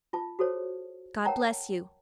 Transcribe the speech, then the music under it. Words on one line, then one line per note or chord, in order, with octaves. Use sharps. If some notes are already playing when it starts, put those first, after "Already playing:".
God bless you.
F4 A5
F#4 G#4 A4 C5 C#5
A#4 C#5 F#5 G5 A5 A#5